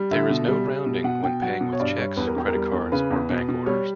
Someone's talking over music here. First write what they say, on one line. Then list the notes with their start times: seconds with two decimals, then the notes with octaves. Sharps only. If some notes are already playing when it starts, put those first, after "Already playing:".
There is no rounding when paying with cheques, credit cards or bank orders.
Already playing: G3
0.11 D3 E5
0.30 B2
0.48 G3
0.67 G3
0.86 B2
1.04 B2 F#5
1.23 B2 G5
1.42 F#3 F#5
1.61 B2
1.73 C#5
1.79 G2 D5
1.98 G3 C#5
2.17 E2 B4
2.27 A#4
2.36 E2 G4
2.48 A#4
2.55 G3
2.73 E2
2.92 C#3 B4
3.10 E2
3.29 B2
3.49 B2
3.66 G3 C#5